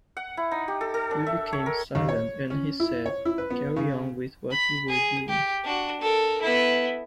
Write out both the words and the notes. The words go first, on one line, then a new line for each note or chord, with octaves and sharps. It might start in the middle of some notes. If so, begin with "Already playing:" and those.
We became silent and he said: Carry on with what you were doing.
F#5
E4
D#4
G4
A4
A4
D4
E5
C#5
A#4
D#2
C#5
C#4
E4
C#5
E4
B4
B3
C#3
B5
G#4
G4
D4 F#4
A4 A#4
B3 E4